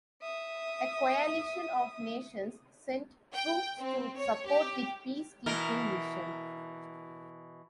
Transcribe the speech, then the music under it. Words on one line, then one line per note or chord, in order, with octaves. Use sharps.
A coalition of nations sent troops to support the peace keeping mission.
E5 D#6
G5
C4
C#5
G4
B2 E3 A#4